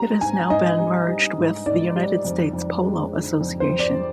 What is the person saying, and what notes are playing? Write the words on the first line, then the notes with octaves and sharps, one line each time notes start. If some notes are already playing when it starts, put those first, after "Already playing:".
It has now been merged with the United States Polo Association.
Already playing: G3 A#5
G#2 G#5
G#2 D#5
G3
G3
G#2
G#2 D5
G3
F2
F2
G#3
D3
F2
C5
F2
D5